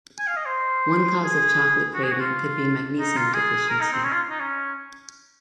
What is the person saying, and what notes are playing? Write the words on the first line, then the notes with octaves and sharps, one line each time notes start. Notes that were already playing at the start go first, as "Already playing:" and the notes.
One cause of chocolate craving could be magnesium deficiency.
G#5
F5
D#5
C5
G#4
F#4
G#4
F#4
F4
D#4
F4
G#4
A#4
D#4
C4
C#4
F4
D#4
C#4